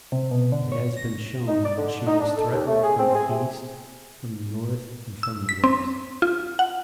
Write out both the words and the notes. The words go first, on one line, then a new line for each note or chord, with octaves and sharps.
It has been shown that she was threatened from the east, from the north, and from the west.
C3
B2
D3
C#5
A#6
D#4
D5
D3
D#4
D4
A4
D#2
A3
G#4
C4
G#4
C3
E6
B6
C4
F4
F#5